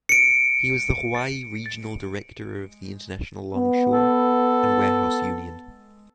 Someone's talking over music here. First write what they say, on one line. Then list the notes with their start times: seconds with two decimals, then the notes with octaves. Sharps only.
He was the Hawaii Regional Director of the International Longshore and Warehouse Union.
0.09 C#7 D7
3.56 B3
3.93 A4